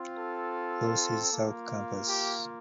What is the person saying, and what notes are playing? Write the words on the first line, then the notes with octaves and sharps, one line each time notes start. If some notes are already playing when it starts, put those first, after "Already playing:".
Louis' South Campus.
Already playing: C4 F4
A4
A#3 F4
G4